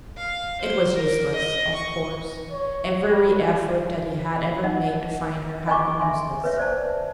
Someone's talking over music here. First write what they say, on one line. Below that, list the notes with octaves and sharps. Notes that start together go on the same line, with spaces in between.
It was useless--of course--every effort that he had ever made to find her had been useless.
F5
C5
A#4
D#5
C#6
C#5
G3
D#4 D#5 F#5
D#5 G#5 B5 C#6 D6
E5 G#5 C6
B4 C#5 E5
C5 D5 A5